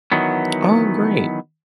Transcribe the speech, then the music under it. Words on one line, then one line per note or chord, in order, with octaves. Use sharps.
Oh, great.
D#3 E3 F#3 B3